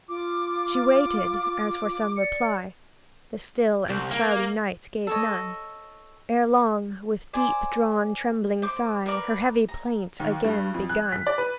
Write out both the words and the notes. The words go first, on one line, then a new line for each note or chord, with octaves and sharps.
She waited--as for some reply; The still and cloudy night gave none; Ere long, with deep-drawn, trembling sigh, Her heavy plaint again begun.
F4 D6
D5 C#7
C2
A#3
A4 C#5 D#5
C5 D5 G#5
C5 D6
A#4 B4 D5 A#5
A#5
D#2
G2
F2
F#6
B6
D5
B4